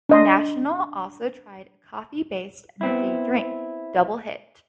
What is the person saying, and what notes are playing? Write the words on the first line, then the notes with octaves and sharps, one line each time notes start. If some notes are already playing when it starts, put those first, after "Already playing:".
National also tried a coffee-based energy drink, Double Hit.
D4 D#5 C6
B3 C4 E4